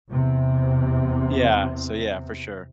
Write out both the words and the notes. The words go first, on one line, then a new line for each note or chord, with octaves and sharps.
Yeah, so, yeah, for sure.
E2 C3